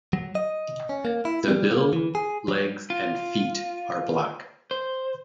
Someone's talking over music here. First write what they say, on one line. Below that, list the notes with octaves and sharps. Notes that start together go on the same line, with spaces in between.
The bill, legs and feet are black.
F#3
D#5
C#4
A#3
E4
G3
A#3
E3
G#4
F#3
F4
C5